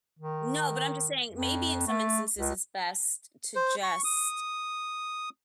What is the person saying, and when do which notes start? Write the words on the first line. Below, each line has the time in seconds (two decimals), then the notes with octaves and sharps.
No, but I'm just saying maybe in some instances it's best to just
0.19 D#3
1.31 F2
1.87 A3
2.38 C#2
3.56 C5
3.83 C#6
4.04 D#6